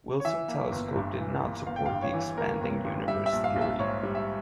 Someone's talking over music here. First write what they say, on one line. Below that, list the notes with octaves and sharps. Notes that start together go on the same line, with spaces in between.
Wilson telescope did not support the expanding universe theory.
C#5
E3 E5
A#3
G1
G2
E3
A#3
G1 F5
G5
F5
G2
C#5
E3
A#3 A#4
G1
G2
G3 E5
E5
A#1
F5
A#1
E5
G#2 C#5
G3
E5